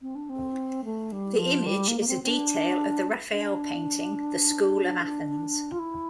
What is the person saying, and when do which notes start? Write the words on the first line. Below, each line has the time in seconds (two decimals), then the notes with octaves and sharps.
The image is a detail of the Raphael painting "The School of Athens".
0.02 C4
0.15 D4
0.29 C4
0.85 A3
1.12 G3
1.38 F3
1.66 G3
1.88 A#3
2.00 A#3
2.08 C4
2.24 C4
2.28 D4
3.31 D4
5.72 F4
5.79 E4